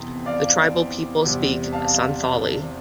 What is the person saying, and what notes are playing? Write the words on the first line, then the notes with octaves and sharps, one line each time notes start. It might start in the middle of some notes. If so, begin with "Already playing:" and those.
The tribal people speak Santhali.
Already playing: F2 C3 E3 B3
D5 F5
E2 C3 G3
F5 A5